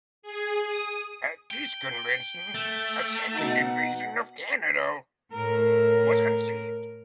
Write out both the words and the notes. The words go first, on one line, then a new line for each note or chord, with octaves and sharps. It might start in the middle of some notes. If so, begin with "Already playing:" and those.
At this convention a second invasion of Canada was conceived.
G#4
D#6
G5
A3
B2 D#4 F#5
A2 A#4